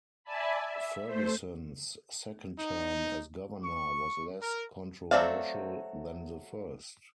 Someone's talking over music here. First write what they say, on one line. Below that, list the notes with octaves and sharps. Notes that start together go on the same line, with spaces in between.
Ferguson's second term as governor was less controversial than the first.
D5 E5 G#5 A5 B5
E5
A3 C5
D#4
C#6
A#4
F#3 A3 C4 D5 F5